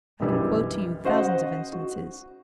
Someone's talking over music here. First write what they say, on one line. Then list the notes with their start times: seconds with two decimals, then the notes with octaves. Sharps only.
I can quote to you thousands of instances....
0.20 B1 F#2 D3 E3 G3
1.04 C#3 F#4 C5 D#5 F#5
1.73 F#4